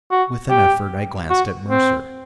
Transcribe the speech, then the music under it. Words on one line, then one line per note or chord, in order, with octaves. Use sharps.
With an effort I glanced at Mercer.
F#4
G4
F#4
C4